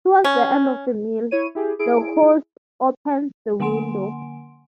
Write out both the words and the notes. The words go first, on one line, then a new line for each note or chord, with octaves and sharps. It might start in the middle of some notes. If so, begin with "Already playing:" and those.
Towards the end of the meal, the host opens the window.
C#4
E4 C#5 D#7
E4 G4 G#4
E4 G#4 D7
D3 A#3 F#5 G#5 C6 D7